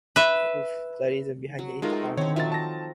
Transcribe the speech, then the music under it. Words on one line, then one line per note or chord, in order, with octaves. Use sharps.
The reasons behind it are unknown.
B4 E5
F#3
G#3 A3 D#4 F4 A4 A#4
D3 D#3 C4 C#5
F3 F#3 C4 E5 A6
A5 A#6